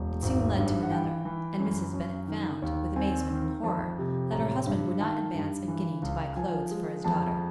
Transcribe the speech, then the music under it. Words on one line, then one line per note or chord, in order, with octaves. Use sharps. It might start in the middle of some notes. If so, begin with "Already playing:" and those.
It soon led to another; and Mrs. Bennet found, with amazement and horror, that her husband would not advance a guinea to buy clothes for his daughter.
Already playing: E1
G#1
G2
F#5
E3 G5
E3
F#2
F#2
D#3
D#2
C4 G#5
D#3
F2 A5
C3
A1 A#5
G2
D#3 A5
G2
E3
C#2
F3 G#5
G#3
F2 A5